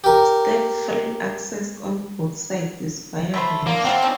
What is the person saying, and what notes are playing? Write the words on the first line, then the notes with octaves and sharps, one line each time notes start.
Step-free access on both sides is via ramps.
G4 A#4
A3 B4 C5
D3 A#3
C4 A4 F5 F#5
D3 D#3 C#4